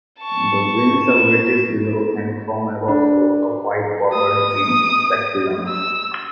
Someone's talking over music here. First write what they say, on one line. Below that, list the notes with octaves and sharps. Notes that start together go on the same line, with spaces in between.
The wings are whitish below, and from above show a white-bordered green speculum.
A5 C#6
E7
D4
D#6
E6